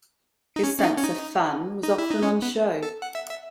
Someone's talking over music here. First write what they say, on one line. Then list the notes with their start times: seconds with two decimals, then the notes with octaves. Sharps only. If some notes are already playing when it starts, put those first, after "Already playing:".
His sense of fun was often on show.
0.56 D#4
0.64 C#4
0.79 C#4
0.84 D#4
0.97 C#4
1.03 D#4
1.83 D#4
1.98 E4
2.11 D#4
2.23 C#4
2.42 B3
2.83 A4
3.02 F#5
3.15 E5
3.29 E5